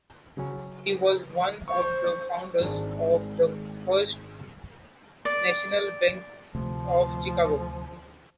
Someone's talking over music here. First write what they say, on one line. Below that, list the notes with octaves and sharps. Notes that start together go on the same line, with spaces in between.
He was one of the founders of the First National Bank of Chicago.
C#3 F#3 C#4
C5 C#6
G#1 G#2 D4
D5
D2 C3 F3 A3